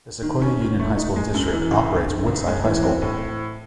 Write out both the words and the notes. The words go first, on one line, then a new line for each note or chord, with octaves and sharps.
The Sequoia Union High School District operates Woodside High School.
D#3
C#4
D#3
A3
D#4
G#3
F#2
E3
C#2
D#3
D#3
C#2
G#3
E3
C4
A2